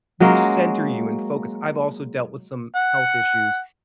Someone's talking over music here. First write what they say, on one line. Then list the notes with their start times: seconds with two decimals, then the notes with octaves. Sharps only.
center you in focus. I've also dealt with some health issues.
0.20 F#3 G#3 A#3 C#4
2.76 F#5